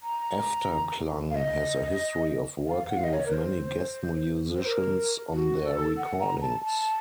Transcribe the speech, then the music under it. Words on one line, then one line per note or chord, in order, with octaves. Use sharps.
Efterklang has a history of working with many guest musicians on their recordings.
A#5
F5
D#5
F5
F#5
F5
D#5
C#5
A#4
C5
C5
A#4
F#4
A4
F#5
A#5
A5
A5